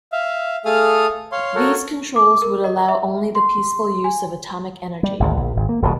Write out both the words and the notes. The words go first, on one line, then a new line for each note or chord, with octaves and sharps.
These controls would allow only the peaceful use of atomic energy.
E5 F5
A3 G#4 A4 F5 D#6 F6
C#5 F5 C6
F#4 A4 A#4 C#5
D6
A#4
D#5
E5
C6
G#5
G3
G#1 D2
A#1
G#1
A#3
D#1 B1 G2 B2